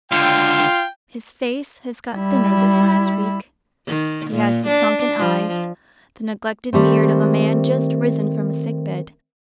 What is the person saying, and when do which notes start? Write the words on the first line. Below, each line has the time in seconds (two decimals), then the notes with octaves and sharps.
His face has got thinner this last week: he has the sunken eyes, the neglected beard of a man just risen from a sick-bed.
0.11 C#2 D3 F4 G5
2.16 G3 E4
3.87 D#3
4.30 A#2
4.67 D4
5.19 F3
6.73 D#3 G3 A3 C4